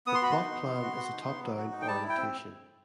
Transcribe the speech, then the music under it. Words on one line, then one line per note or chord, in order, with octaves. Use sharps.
The plot plan is a 'top-down' orientation.
B3 D#6
C6
F#4 B5
C6
D#4
B3
B3
F#4
F#4
D#4
B3
F#3
F#4
D#4
G5
G3 A5
E4
G5
C4